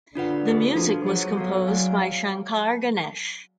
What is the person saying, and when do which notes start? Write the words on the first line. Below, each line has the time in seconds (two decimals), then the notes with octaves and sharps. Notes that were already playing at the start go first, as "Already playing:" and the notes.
The music was composed by Shankar–Ganesh.
0.15 D3 D4 F4 B4 F#5
0.45 A3 D4 F4 G#4 B4
0.76 F3 D4 F#4 A4
1.07 F#3 G#4 C#5 F#5
1.36 B3 F#4 A4 F5
1.67 G#4 D5 F5 G#5